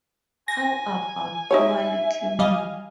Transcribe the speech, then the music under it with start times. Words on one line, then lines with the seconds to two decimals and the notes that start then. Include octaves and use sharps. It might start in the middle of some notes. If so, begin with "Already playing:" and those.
How about poor little me?
0.48 G#5 A#6
1.51 D#4 G4 C#5 E5
2.39 G3 D#5 F5